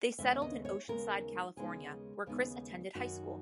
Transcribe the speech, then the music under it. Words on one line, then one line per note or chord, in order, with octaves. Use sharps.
They settled in Oceanside, California, where Chris attended high school.
D#2 C#3 G#3 B3 D#4 E5
D#5
C#5
D#2 C#3 G#3 B3 D#4 A#4
D#2 C#3 G#3 B3 D#4 G#4
D#2 C#3 G#3 B3 D#4
F#2 D#3 A#3 D#4 F#4